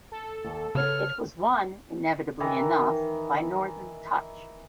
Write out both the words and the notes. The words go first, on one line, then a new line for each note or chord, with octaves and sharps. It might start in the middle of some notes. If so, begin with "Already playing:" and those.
It was won, inevitably enough, by "Northern Touch".
A4
D#2
C#3 B4 C#5 F#5 F6
D#3 E3